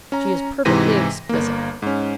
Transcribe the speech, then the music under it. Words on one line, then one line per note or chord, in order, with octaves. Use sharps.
She is perfectly exquisite.
C#4 A#5
G#2 C3 E3 A#6 B6 D#7
G1 A#3
G#2 C#4